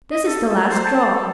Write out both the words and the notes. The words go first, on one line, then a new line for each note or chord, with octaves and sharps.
This is the last straw.
D#5
A4
A5
C5
A5
A4